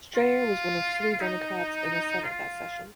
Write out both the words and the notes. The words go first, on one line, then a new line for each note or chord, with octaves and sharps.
Strayer was one of three Democrats in the senate that session.
F4
D#4
F4